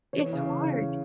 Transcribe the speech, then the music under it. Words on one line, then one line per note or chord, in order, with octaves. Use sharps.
It's hard,
E3 C#5
C#3